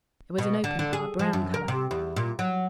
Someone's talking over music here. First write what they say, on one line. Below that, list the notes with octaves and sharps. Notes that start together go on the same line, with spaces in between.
It was an open car, brown colour.
B2
D3
D3
G#4
F3
F#2
A#4
C3
E2
A#2
F#3